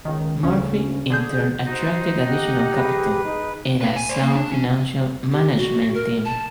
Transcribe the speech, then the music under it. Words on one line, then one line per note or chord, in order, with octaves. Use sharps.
Murphy in turn attracted additional capital, and a sound financial management team.
C#2 D#3
D2 C#3 C#4
D3 G#4 G6
D#4 F#4 C5
G4 D#5 F#5
G#4 B4
D#4 G#4
B4 F5
G#5
C5 D5
A#3
D4
C#4
G4
F#4
A#4
A5